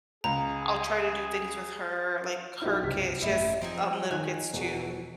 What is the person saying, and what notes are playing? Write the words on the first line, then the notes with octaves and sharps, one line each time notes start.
I'll try to do things with her, like, her kids she has, um, little kids, too.
C#2 G#4 A#5
B1 D#4 E4 F#4 G4
C#2 G2 C3 B6
G#1 F#2 A3 E4 D#5
F3 C4 D#4 G#4
D#3 D#4 G#5 F#6
E1 E2 F#4